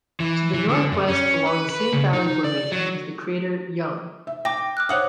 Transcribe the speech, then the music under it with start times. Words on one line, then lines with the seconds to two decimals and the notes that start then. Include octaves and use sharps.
To the northwest along the same valley formation is the crater Young.
0.20 E3
0.54 E3
0.69 D3
0.92 F#2
1.08 C#4
1.47 B4
1.69 B4
1.93 C#3
2.13 D#4
2.44 D5
2.72 F#3
4.27 E5
4.45 G5 D6 A#6
4.77 D6 F6 F#6
4.89 C5 C#5 F#5 D6 D#6 F#6